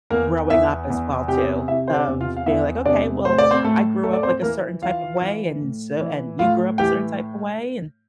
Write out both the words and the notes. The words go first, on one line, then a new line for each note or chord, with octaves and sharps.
growing up as well too, of being, like, "Okay, well, I grew up, like, a certain type of way, and so and you grew up a certain type of way, and
E2 A#3 A#4
E2 E4 E5
E2
C3 G4 G5
C3 E4 E5
C5
D4 D5
E2
F4 F5
F5
E2 E4 E5
C3 D4 D5
A2 C5
D5
C4 C5
A2 A3 A4
A2 A3 A4
D5
C4 C5
E3 A#3 A#4
E3 F4 F5
E3
A2
E3
A2 F4 F5
E3 G4 G5